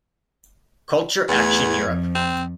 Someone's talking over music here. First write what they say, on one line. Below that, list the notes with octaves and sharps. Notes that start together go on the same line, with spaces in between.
Culture Action Europe.
E2 A3 G#6
F2
C4